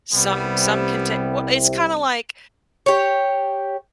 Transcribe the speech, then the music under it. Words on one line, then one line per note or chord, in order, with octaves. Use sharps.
some some can ta well, it's kinda like,
C2 C3 G3 B3
G4 C#5